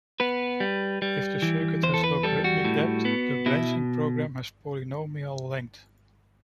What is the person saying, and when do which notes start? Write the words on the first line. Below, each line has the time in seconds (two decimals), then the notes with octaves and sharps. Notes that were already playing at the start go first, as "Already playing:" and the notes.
If the circuit has logarithmic depth, the branching program has polynomial length.
0.20 B3 B4
0.60 G3
1.02 G3
1.42 E3
1.83 E2 C5
1.94 A4
2.04 B4
2.23 G3 A4
2.44 F#4
2.65 A2
3.05 B3
3.46 B2 E4